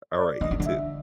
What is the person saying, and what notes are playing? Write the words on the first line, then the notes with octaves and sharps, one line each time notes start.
Alright, you too.
D5
D3 D#5
D#3
D3
E5